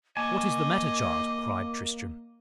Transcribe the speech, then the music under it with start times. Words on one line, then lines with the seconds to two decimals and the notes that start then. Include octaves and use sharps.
"What is the matter, child?" cried Tristram..
0.17 A#3 D#5 G#5 A5 C#6 D6